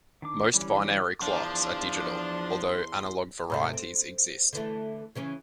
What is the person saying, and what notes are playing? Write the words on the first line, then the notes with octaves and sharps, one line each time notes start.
Most binary clocks are digital, although analog varieties exist.
D#3 D4 D6
D3 E3 G3 C#4
E2 F3 D4 C6
G#2 C3 A3
C4
D3 E3 A3
C#3 E3 C#4